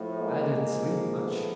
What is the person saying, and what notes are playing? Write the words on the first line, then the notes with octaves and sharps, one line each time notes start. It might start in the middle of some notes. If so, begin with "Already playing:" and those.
I didn't sleep much.
Already playing: A2 F3
G#3 A#3
G#2 F3
A3 B3